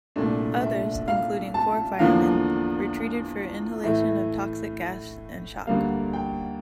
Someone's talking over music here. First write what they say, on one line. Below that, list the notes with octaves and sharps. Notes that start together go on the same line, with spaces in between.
Others, including four firemen, were treated for inhalation of toxic gas and shock.
C2 A#2 A3 D4
E5
F5
A5
E2 D3 F3 A#3 D4 F5
A2 E3 A3 E5
D2 D3 G3 A#3 F5
G5